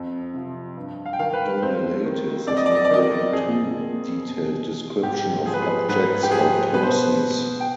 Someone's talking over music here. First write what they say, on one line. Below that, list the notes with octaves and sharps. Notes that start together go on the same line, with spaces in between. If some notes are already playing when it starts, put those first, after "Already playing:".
Donelaitis is not giving too detailed description of objects or persons.
Already playing: F2
C3 F3
G2
F5
G5
D#3 F5
B4
F2 C5
D#3
F2 D5
D#5
D5
D#5
D5
D#3 D#5
D5
F2 G#4
D#3
B2
G#2 G4
F3 G#4
B4
G#4
G#2 B4
G4
F3 G#4
B2 B4
C5
B4
G5